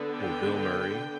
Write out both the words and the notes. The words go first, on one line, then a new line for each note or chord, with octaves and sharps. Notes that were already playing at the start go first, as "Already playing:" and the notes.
Ooh, Bill Murray?
Already playing: D3 B3 D4
G5